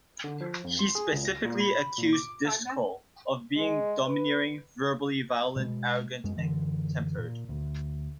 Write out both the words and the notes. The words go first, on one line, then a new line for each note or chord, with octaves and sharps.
He specifically accused Driscoll of being "domineering, verbally violent, arrogant, and quick-tempered".
D3
F3
F2
C6
G#4
C#2
A#6
A#2
B5
A#2
D6
G#3
B4
B2 G#3
F#2 G#3
F#2 D3 E3
A#2
D2